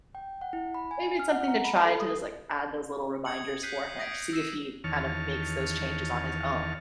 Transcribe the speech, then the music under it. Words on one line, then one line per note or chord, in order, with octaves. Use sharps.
maybe it's something to try to just add those little reminders for him to see if he kind of makes those changes on his own.
G5
F#5
E4
B5
G#5
F6
F#5
A#5
B5
A4
D#6
D#6 G#6 C#7 F#7
F#6 G6 B6 C7 D#7
D#6 G#6 A#6 B6 D7
C#7
E6 A#6 C7 D#7 E7
E2 D#3 C#5 A5 F6